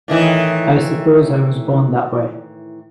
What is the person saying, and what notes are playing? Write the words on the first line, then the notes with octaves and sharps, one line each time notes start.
I suppose I was born that way.
A2 D#3 E3